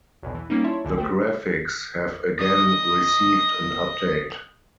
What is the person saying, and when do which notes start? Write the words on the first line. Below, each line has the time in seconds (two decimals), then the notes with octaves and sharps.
The graphics have again received an update.
0.23 B1 E2 B2
0.35 E3
0.50 G3 A#3 C#4 D#4
0.64 E4 C#5 D5 E5 A5 C6
0.84 G#1 C#2 D3
0.97 A3 F#4 G4 C5 G5
2.39 D#5 D#6